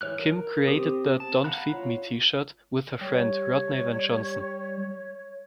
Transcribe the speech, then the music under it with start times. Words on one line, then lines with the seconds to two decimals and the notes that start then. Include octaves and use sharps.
Kym created the "Don't Feed Me" T-shirt with her friend, Rodney Van Johnson.
0.01 E3 C#5 F6 F#6
0.19 A#4
0.68 C4 G4 D#6
1.20 A5
1.44 F5 F#5 A#5 B5 F#6
1.73 F4 C#5
3.01 G3 C#5